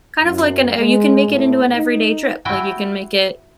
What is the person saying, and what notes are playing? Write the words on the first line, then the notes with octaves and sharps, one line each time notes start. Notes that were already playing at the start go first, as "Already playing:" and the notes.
kind of like an, "Oh, you can make it into an everyday trip." Like, you can make it
F#2
G#3
A2
D#4
E4 F#4 G5 G#5